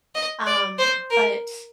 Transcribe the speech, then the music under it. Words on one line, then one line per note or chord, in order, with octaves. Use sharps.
um, but,
D#5
D5
C5
A#4